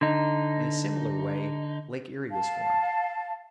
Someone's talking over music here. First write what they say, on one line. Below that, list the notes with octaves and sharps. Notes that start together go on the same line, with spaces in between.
In a similar way Lake Erie was formed.
D3 D#4
F5 A5